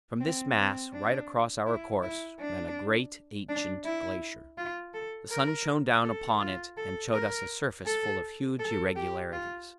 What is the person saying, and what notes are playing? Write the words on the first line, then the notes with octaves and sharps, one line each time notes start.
From this mass, right across our course, ran a great, ancient glacier; the sun shone down upon it and showed us a surface full of huge irregularities.
C4
C4
D4
E4
E4
D4
D4
E4
F4
A4
A#4
A4
F4
A4
A#4
A4
A4
G4
F4